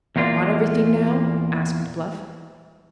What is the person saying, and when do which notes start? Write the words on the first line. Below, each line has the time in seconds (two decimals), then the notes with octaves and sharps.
"Got everything now?" asked Bluff.
0.16 E2 A#2 A#3 F4 D5